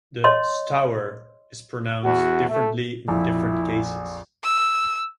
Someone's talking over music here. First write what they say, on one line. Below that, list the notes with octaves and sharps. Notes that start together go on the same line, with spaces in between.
The "Stour" is pronounced differently in different cases.
C#5 D#5 C6
E2 F#4
A3
A#1 F2 E4
E6